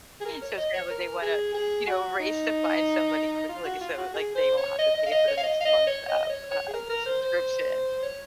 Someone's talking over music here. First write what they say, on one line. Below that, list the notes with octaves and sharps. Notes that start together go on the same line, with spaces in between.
so, it's kinda like they wanna, you know, race to find somebody quickly, so, like, they won't have to pay for the next month of, um, subscription,
G#4
A#4
C#5
D#5
C#5
A#4
G#4
G#4
F#4
D#4
F4
F#4
F4
F#4
G#4
C5
C#5
D#5
D#5
F5
D#5
C#5
F5
D#5
F5
D#5
C#5
D#5
D#5
C#5
C#5
G#4
A#4
A#4
C5
C5
C#5